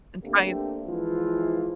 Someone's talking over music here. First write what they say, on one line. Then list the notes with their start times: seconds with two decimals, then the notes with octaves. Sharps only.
And try an
0.23 D3 A3 A#3 C4 D4 G4
0.87 E3 F3 G#3 F4